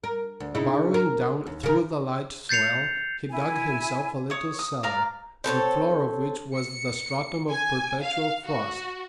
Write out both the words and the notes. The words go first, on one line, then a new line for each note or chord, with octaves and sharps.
Burrowing down through the light soil, he dug himself a little cellar, the floor of which was the stratum of perpetual frost.
A#4
D2
C#3 D#4 E4
A#4
D#2
C#3 A#4
G6 A6 C7 C#7 F7
E4 G#5
C#5 D#6
D#6
A#4 D5 F5 A#5
C4 A4 B4 C#5
C#7
G#5
F5
F#4